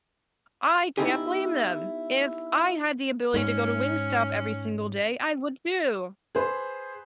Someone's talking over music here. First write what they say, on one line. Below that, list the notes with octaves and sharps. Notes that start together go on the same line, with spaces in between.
I can't blame them. If I had the ability to go to Wingstop every single day, I would too.
B3 D#4 E4 G4 G#4
G#2 C#4
G#4 B4 C5